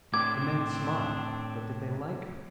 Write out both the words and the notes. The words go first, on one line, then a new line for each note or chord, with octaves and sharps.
The men smiled--but did they like her?
A2 C4 D4 D6 G#6